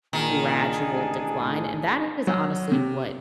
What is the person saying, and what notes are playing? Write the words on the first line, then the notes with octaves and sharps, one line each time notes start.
gradual decline, and that is honestly what
A#2 D#3 D4 G#4 G#5
A1
A2
F#3
C3